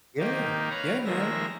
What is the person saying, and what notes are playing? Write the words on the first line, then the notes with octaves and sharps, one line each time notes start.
Yeah. Yeah, man.
D#3 A#3 D#4 G4
B4 C#5 F5 A#5
D#3 F3 G#3 A#3 E5 A#6